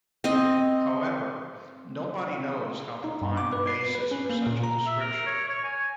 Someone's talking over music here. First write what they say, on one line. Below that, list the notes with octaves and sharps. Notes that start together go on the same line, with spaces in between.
However, nobody knows how to find the basis for such a description.
C4 D#5
D#4
G2
D6
B4
C7
C7
B4
C#4
A#3
A#2
A#5
E5
A#4
C#5
C#5
G#5